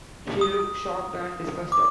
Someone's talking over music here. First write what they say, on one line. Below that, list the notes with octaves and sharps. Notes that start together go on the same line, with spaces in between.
She looks shocked and disgusted.
D#6
D6